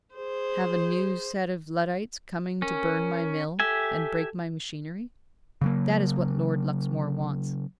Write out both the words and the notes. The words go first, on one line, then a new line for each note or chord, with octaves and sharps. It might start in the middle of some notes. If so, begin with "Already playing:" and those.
Have a new set of Luddites coming to burn my mill, and break my machinery? That is what Lord Luxmore wants.
G#4 C5
C#4 A#4
G4 A4 E5 G#5
C#3 F#3 A#3